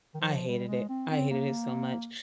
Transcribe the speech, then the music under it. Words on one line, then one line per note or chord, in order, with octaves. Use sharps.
I hated it, I hated it so much.
D#3
F3
G3
G#3
C4
C4
A#3